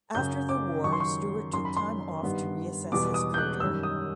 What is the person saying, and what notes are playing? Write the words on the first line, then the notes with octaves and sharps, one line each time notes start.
After the war, Stewart took time off to reassess his career.
F#2 C#3 F#3 G6
D6
F#2 D#3 F#3 C#6
C6
C#6
F#2 D#3 F#3 C6
B5
C6
G2 D#3 G3 B3
E2 B2 G3 B3 D6
D#6
G6
F#6
F#2 D#3 G3 E6
D#6